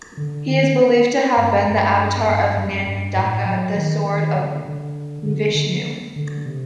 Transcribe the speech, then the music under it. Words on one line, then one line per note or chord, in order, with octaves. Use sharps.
He is believed to have been the avatar of Nandaka, the sword of Vishnu.
D3
D#3
G2
G2
G2
F#2
G2
A2
F#3
D#3
D#3
D3
D3
D3
D3
D3
C3